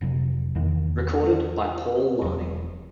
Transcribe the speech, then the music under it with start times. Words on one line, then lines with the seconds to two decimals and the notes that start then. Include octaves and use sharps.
Recorded by Paul Lani.
0.01 F1 C3 F#3
0.55 E2 D#3 A#3
2.22 E1 F#3